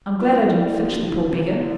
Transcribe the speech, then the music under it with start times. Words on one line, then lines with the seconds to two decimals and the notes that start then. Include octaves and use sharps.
I'm glad I didn't finish the poor beggar.
0.20 E3 G3 F4
0.34 E4
0.47 E3 G3
0.75 D3 F3 A4
0.88 G4
0.96 F4
1.04 E4
1.32 C3 E3 C4
1.60 D3 F3 E4